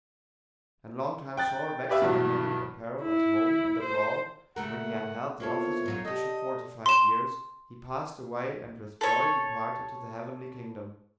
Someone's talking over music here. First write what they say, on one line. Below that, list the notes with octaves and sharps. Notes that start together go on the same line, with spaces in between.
And long time sore vexed by many a peril at home and abroad, when he had held the office of a bishop forty-five years, he passed away and with joy departed to the heavenly kingdom.
G5 F#6 A6
G4 B4 D5 E5 F5
G2 B2 E3 F#3 F#4
E4
C5
C#3 A3 A#4 F#5
A#3 B3 E4 F4 A4 C5 C#5
A2 F#3 F4
G4 A4 D5 D#5
C6 E7
A4 C#5